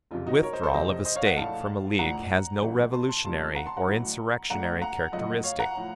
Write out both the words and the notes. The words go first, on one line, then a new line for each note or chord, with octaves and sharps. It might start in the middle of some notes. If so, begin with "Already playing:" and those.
The withdrawal of a State from a league has no revolutionary or insurrectionary characteristic.
F#1 F2 C3 F4
D#4 F#4
A#4 C#5
C5 D#5
A4 C5
F1 F2 C3 F3 C5 D#5
C5 D#5
C#5 F5
D#5 F#5
A#1 A2 A3 F5 A5
A#1 A2 F3 F#5 A#5
A1 A2 F#3 A3
A5 C6
A5 C6
C2 C3 F3 A3 A5 C6
F#5 A#5
A5 C6
F#5 A#5
A1 A2 F#3
A#1 A#2 A3 F#5 A#5
F#5 A#5
F#1 F#2 F3 A3 D#5 F#5
C#5 F5
F#5 A#5
A2 F3